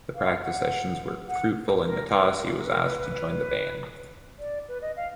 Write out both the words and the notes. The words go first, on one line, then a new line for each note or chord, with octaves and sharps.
The practice sessions were fruitful and Nastasi was asked to join the band.
F5
F#5
F#5
A#4
B4
A#4
A#4
B4
A#4
B4
B4
D5
B4
D#5
F5